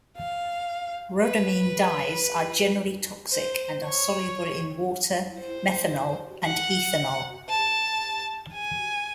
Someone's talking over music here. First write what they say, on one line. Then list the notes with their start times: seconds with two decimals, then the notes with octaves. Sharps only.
Rhodamine dyes are generally toxic, and are soluble in water, methanol and ethanol.
0.18 F5
1.23 B4
3.32 C5
3.84 C#5
5.40 C5
6.44 F#5
7.49 A5
8.54 G#5